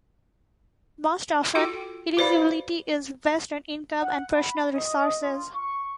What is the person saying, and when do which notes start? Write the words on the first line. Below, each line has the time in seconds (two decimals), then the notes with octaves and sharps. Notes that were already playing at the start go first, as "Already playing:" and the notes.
Most often, eligibility is based on income and personal resources.
1.55 F4 F#4 A4 G5
2.17 F#4 B4 C5 D5 F5 B5
3.99 F#5
4.31 B5
4.75 D#5
5.21 F4
5.52 C#6